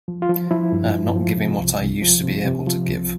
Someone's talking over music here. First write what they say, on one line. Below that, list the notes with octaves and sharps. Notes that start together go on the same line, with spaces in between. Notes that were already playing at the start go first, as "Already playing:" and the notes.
I am not giving what I used to be able to give.
F3
F4
F3
F3 E4
G2
F3
F3
C3
C2
C2
F3
C3
C3
F3
C2